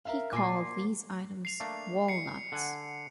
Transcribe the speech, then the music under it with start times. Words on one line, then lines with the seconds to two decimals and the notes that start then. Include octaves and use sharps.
He called these items "wallnuts".
0.05 A#4 E5 F5
0.33 A#2 G#5 D6 C7
1.45 C7 F7
1.60 A3 A#3 D4
2.08 C7 C#7
2.52 D3 F#5 G#5